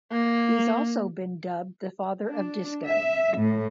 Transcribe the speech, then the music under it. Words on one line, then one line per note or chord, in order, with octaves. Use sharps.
He has also been dubbed the "Father of Disco".
A#3
D4
E5
A2